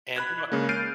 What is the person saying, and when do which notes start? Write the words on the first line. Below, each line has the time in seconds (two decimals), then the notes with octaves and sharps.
And, you know what?
0.16 B5 F#6 G#6
0.52 C#3 G#3 A#3
0.69 F6 G6 A6 C7 D7 D#7